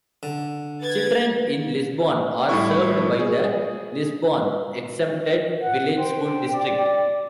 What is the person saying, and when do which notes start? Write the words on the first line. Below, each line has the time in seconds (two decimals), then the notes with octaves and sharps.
Children in Lisbon are served by the Lisbon Exempted Village School District.
0.23 D3
0.82 B4 G#6 A6
2.49 A2 G3 A3 E4 C#6
3.19 G#4
5.61 F#5
5.97 C5 G5
6.54 D5